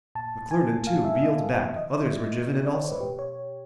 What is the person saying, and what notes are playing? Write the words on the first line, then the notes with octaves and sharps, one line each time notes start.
McClernand, too, reeled back, others were driven in also.
A#2 A5
G#5
F5
E5
E5
D#5
C3 E3 E5
D#5
D5
D5
C#5
C5
B4
B2 G4
C#5